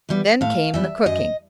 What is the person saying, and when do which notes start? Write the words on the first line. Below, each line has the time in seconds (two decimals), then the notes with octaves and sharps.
Then came the cooking.
0.09 E3 G3 B3
0.41 A2 F5
0.74 E3 G3 B3 E5
1.06 F#2 D#5